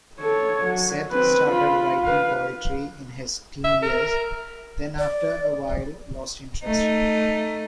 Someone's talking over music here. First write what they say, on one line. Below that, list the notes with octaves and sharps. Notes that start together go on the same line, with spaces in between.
Seth started writing poetry in his teen years, then after a while lost interest.
A4 C#5
F#3
C4 B4
F4 B5
B4 F5
E5
A#4
D5
A3 D#4